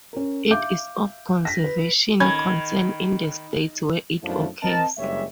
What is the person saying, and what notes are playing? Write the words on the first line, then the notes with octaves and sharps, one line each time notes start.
It is of conservation concern in the states where it occurs.
C#4 A#4
E5 F5 D6 G6
A#6 B6
B4
D#3 C#4 B5 G#6
F#2 B2 F3 A3 D4 E4
C4 A#4 D#5 A5
F#1 G2 G3 G#3 C#5 E5